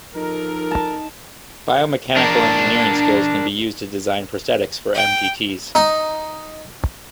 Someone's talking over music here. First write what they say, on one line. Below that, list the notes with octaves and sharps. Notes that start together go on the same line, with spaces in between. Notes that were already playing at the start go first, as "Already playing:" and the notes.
Bio-mechanical engineering skills can be used to design prosthetics for amputees.
F3 D#4 A4 A#4
A5
D4 A#4
G5
D#4